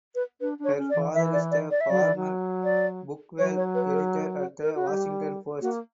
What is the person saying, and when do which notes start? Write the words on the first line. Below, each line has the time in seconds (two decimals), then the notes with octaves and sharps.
Her father is the former "Book World" editor at the Washington Post.
0.15 B4
0.41 D4 B4
0.59 D4
0.64 C#5
0.77 C#4
0.90 D5
0.95 E3
1.14 E3 E5
1.33 D5
1.51 D5
1.71 D5
1.81 E5
1.89 F#3 D5
2.02 E3
2.15 F#3
2.64 D5
3.38 F#3 C#5
3.57 C#5
3.75 B4
3.93 A#4
4.38 F#4
4.63 A#4
4.75 F#4
4.87 G3 G4
5.61 A#3 F#4